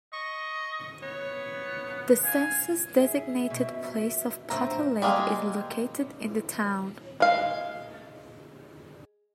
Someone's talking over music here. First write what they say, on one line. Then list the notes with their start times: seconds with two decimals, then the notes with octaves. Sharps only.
The census-designated place of Potter Lake is located in the town.
0.13 D#5 C#6
1.03 B3 C#5
2.24 F5 G#5
2.99 G#4 E5
3.50 B2
4.50 A2 D3 C4 C5 E5 A#5
5.02 G3 G#3 A#3 C4 G#4
7.20 G#3 F5